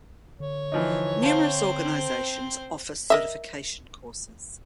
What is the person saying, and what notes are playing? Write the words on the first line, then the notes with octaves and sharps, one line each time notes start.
Numerous organizations offer certification courses.
D3 C#5
E3 F3 D#4
C4 C5 F5 A5
A#4 D#5 E5